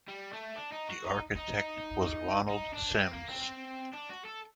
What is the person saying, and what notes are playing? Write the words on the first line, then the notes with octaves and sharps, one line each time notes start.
The architect was Ronald Sims.
G3
A3
D4
D#4
F#4
D#4
D#4
D#4
D4
C4
A#3
C4
D4
F#4
A4